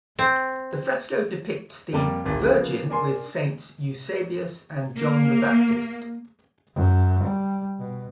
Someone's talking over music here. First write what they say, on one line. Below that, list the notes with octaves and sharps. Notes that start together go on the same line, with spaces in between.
The fresco depicts the "Virgin with Saints Eusebius and John the Baptist".
C4
F2 G3 A#3 A5 A#5 D6
D1 G#1 A6
C#3 F3 A#3 B3
D4 A#4 G#5 C6
A#3
F#2
G3
B2